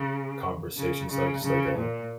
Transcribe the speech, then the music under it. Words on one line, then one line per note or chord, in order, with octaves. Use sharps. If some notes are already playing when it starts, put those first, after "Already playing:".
conversation, so a just like a
Already playing: C#3
C#3
C#3
C#3
A#2